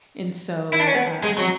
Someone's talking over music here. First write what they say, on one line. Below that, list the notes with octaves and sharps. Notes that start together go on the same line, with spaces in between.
and so, um,
E4
D4
C#4
B3
G#3
F#3